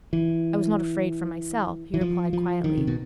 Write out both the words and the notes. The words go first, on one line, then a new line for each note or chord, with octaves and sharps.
"I was not afraid for myself," he replied quietly.
E3
E3
F3
F3
D#3
C3
B2